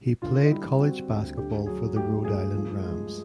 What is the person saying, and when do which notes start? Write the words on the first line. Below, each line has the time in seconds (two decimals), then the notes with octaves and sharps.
He played college basketball for the Rhode Island Rams.
0.22 D3 F4
0.46 D#4
0.51 G3 E4
0.80 C4 F#4
1.09 D2
1.37 D3 G4
1.66 F#3 G#4
1.96 A3 G4
2.24 G2 G#4
2.54 F3
2.83 G#3